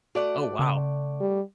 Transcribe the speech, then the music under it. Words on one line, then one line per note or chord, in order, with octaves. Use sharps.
Oh, wow.
A3 F#4 D5 F#5
C#3
G3